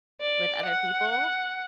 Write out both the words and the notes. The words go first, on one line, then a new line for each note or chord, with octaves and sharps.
with other people,
D5
F#5